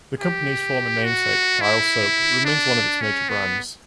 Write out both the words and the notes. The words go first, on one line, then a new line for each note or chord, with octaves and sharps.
The company's former namesake, Dial soap, remains one of its major brands.
G4
F#4
E4
D4
C#4
B3